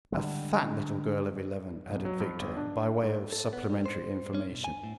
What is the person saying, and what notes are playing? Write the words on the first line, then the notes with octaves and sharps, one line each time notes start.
"A fat little girl of eleven," added Victor by way of supplementary information.
D3 G3 G#3
B1
F#3
F2
G1
D4
G#2
A4
B3
G3
C5
C#4
B2
G#5
A2